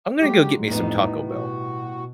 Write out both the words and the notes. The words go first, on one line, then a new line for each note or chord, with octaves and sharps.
I'm gonna go get me some Taco Bell
F#3 G#3 G4
F2 A2 G3 B3 D#4
B2 F#4